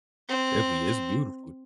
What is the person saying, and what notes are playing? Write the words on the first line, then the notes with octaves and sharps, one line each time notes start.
definitely it's beautiful,
C4